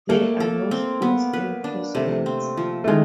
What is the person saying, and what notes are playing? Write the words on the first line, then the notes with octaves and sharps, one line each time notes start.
There are no schools in Crossroads.
A3 A#3
A4
C4
B3
B4
D4
C3 A3
C4
F3
A3
D#3 G#3